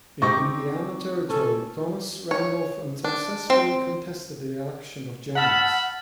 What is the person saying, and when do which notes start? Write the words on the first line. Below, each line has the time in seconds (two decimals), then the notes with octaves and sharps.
In Indiana Territory, Thomas Randolph unsuccessfully contested the election of Jennings.
0.22 C4 D#4 G4 C#6 D6 A#6
1.30 C#4 A4
2.31 C#5
3.04 D4
3.50 C4
5.35 E5 F#5 A5 B5 F6